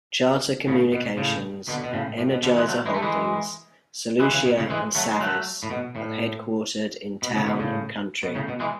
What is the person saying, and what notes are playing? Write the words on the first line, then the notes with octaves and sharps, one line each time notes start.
Charter Communications, Energizer Holdings, Solutia and Savvis are headquartered in Town and Country.
A2 C#3
B2
A2 C#3
B2 D3
B2
A2 C#3
A2
B2
B2 D3
E3 G#3
F#3 A3
E3 G#3
A3
E3 G#3
E3 G#3
C#3 E3
B2
A2 C#3
E3 G#3
F#3 A3
G#3
F#3 A3
A2
B2
A2
B2
A2 C#3
B2 D3
A2 C#3
B2
A2 C#3
B2
E3 G#3